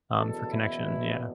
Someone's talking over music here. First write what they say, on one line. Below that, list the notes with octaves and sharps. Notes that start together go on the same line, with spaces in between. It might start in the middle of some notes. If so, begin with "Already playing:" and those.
um, for connection, yeah.
F#1 E2 B2 A4
E4